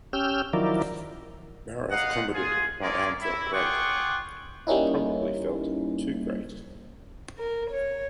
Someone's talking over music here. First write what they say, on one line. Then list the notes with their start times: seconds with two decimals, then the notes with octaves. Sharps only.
Maroth commented My arm felt great...Probably felt too great.
0.13 C#4 G4 E6 F6 G6
0.53 D#3 F3 F#3 E4 A#4 D5
1.91 B3 D#4 D#5 F5 F#5
2.33 F4 G#4
2.81 C#4 F4 G#4 A#4 D5
3.20 E4
3.53 F4 G#4 F#5 G5 C#6 D6
4.67 G3 A#3 C#4 D#4 E4
7.37 A#4
7.69 C#5